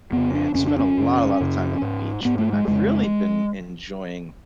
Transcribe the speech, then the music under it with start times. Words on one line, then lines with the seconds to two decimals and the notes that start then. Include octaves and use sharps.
and spend a lotta, lotta time on the beach, but I've really been enjoying,
0.12 F2 C#3 B3
0.34 D4
0.55 F2 C#3 C#4
0.67 D4
0.79 C#4
0.97 F#2 C#3
1.40 F#2 C#3
1.82 G#2
2.25 G#2 B3
2.39 A3
2.53 G#3
2.68 F2 C#3 G#3